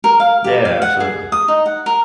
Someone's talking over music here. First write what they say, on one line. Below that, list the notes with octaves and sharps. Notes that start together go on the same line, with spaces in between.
Yeah, absolutely.
A#4
F5
G4
F5
F#5
G#4
D#6
D#4
F#5
A#4